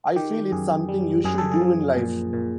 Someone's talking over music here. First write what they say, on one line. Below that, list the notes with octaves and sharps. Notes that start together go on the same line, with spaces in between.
I feel it's something you should do in life.
D#3 G4
F#2 G#4
G3
F#2 G#4
A4
G#4
F3
A#2
A#2